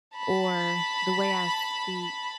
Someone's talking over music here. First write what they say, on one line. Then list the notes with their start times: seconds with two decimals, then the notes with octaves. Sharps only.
or the way I speak,
0.16 A5 B5